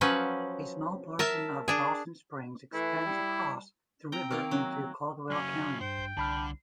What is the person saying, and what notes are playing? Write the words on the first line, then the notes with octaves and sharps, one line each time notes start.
A small portion of Dawson Springs extends across the river into Caldwell County.
F3 F#3 C#4 B4
A#4 E5 A5
D4 G#4
E3 A3 E4
G3
C4 G5 A#5
D#3 A#3 A#4
F#3
C#3 F#3 C#4
G2 C5 G5
C2 D3 A5 B5 F6